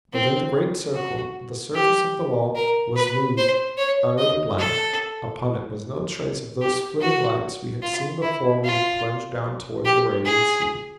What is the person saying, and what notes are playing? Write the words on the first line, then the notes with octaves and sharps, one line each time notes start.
Within the great circle the surface of the wall was smooth, utterly blank; upon it was no trace of those flitting lights we had seen before we had plunged down toward the radiant sea.
C4
F#4
G4
A#4
B4
C5
C#5
D#5
A4
G4
F#4
F4
E4
F4
G4
G#4